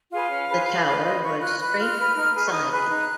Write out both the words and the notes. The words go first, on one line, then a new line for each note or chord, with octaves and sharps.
The tower was straight-sided.
F4 G#4 B4 F5
C#4
F4 G#4 B4
F4
B4
F4 D#5
B4 C#6
F4 F#6
B4 F#6
F4 F6
B4
D#4
G#4 B4
C#6
D#4 D#6
G#4 B4 F#6
D#4